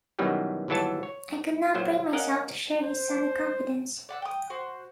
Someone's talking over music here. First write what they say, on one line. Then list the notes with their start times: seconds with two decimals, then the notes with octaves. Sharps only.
I could not bring myself to share his sunny confidence.
0.19 F#2 B2 D#3 E3 F#3 G3
0.68 G1 D#2 E3 F#3 A4 A5
1.03 C#5
1.74 A#1 F3 F#3 C5
2.12 C#4 A#4 D#5 F5 F#5
2.84 C5
4.09 D5 F#5 E6
4.22 G5 D#6
4.50 F#4 C5